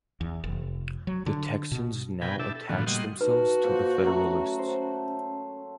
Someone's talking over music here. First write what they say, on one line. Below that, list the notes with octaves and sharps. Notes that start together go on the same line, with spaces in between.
The Texans now attached themselves to the Federalists.
E2
F1
F#3
D3
B2
B2 A#4 G5 G#5 B5
D4 E4 G4 E5 A5
A4
A2 D3 F3 B3 F#4
A#2 G3 D#5 F#5 C6
D#4 F#4 A4 B4
A#2 C5 F#5
F#3 A3 C#4 A#5
C5